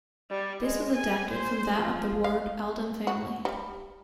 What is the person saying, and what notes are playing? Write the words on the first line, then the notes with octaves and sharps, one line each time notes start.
This was adapted from that of the Warde-Aldam family.
G3
G#3
G#5
C5
F3
F5
F#4
G3